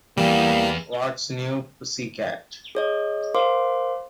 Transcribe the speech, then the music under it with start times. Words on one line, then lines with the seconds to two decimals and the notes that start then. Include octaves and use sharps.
What's New Pussycat?
0.17 E2 G3 A#3
2.75 G#4 C#5 D#5
3.35 A#4 C5 F5 C6 D6